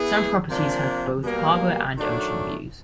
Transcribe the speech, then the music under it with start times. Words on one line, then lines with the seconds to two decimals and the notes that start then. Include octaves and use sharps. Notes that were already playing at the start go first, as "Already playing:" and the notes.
Some properties have both harbour and ocean views.
Already playing: B3 E4 G#4
0.50 C3 F3 A#3 D4
1.23 B2 G3 A#3
1.97 D#3 F#3 A3 D4